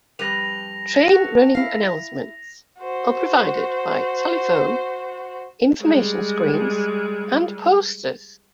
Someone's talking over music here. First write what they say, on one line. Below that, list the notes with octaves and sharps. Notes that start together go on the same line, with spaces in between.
Train running announcements are provided by telephone, information screens and posters.
F2 G3 B4 A#6 F7
F#4 A4
E4 F5
F#4 C5
G3 G#3